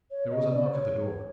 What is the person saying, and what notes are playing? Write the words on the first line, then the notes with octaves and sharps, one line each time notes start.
There was a knock at the door.
C#5
D#5
D5
C5
C#5